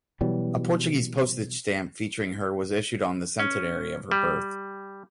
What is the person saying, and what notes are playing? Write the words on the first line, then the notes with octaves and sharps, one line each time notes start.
A Portuguese postage stamp featuring her was issued on the centenary of her birth.
B2 E3 F#3 G3
C#4
G3